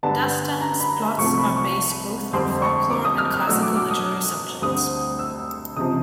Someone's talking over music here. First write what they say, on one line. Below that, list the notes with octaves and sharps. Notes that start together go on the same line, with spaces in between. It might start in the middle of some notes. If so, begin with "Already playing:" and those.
Dastan's plots are based both on folklore and classical literary subjects.
G2 D3 G3 B3 D4 A5
A#5
B5
C2 C3 F3 A3 C#6
B5
C#6
F2 D3 G3 C4 C6
C#6
D6
D#6
F6
F6
B2 F#3 A3 D4 E6
D6
D6
D#6
D2 D3 G3 C4 D#6
E6
C#2 C3 F3 D#6